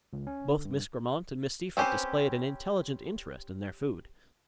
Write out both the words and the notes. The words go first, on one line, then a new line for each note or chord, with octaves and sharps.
Both Miss Grammont and Miss Seyffert displayed an intelligent interest in their food.
C#2
C#4
D3
G2
C4 C#4 G4 B4 C5